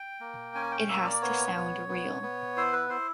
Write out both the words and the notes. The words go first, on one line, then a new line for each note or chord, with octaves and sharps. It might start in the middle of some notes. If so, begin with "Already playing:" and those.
It has to sound real.
Already playing: G5
A#3
C#4 G#5
G5
A#3 E5
D5
B3 C#5
B3
B3
B3
E4 C5
B4
E4 C5